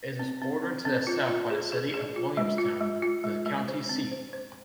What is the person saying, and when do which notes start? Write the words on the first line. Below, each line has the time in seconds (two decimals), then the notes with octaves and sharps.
It is bordered to the south by the city of Williamstown, the county seat.
0.19 C4
0.42 C4
0.64 C4
0.85 C4
1.07 F4
1.28 F4
1.50 G#4
1.72 G#4
1.94 G#4
2.16 F4
2.37 G#3
2.58 F4
2.81 G#3
3.02 F4
3.24 G#3
3.46 G#3
3.68 C5
3.89 C4
4.11 C5
4.33 C5